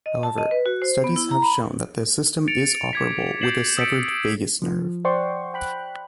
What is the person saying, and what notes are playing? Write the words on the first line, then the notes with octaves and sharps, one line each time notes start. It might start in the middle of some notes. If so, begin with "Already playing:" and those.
However, studies have shown that the system is operable with a severed vagus nerve.
D#5
A5
D#5
B4
F#4
C5
B3
E4
A#5
B5
A6 C#7 D7 F7
D6 G#6 B6
G6 A6 C7 E7 F#7
D#6 E6 A6 B6 C#7 D7
F3
C5 D5 F#5 G5 C6 C#6
G5 B5 F#6